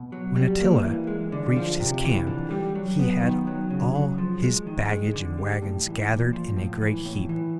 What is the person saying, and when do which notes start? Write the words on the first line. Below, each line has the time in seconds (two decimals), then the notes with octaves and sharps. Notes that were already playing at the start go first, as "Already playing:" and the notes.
When Attila reached his camp he had all his baggage and wagons gathered in a great heap.
Already playing: B2
0.12 F#3
0.36 G3
0.60 A#3
0.84 E3
1.07 G#3
1.32 D3
1.56 F3
1.80 C3
2.04 E3
2.27 D3
2.51 G3
2.75 F#3
2.99 B3
3.23 D#3
3.47 F#3
3.70 C#3
3.95 F#3
4.18 F3
4.42 G#3
4.67 D#3
4.90 G#3
5.14 D3
5.38 G3
5.62 A2
5.86 E3
6.09 A#2
6.33 F3
6.57 A2
6.81 E3
7.05 A2
7.29 E3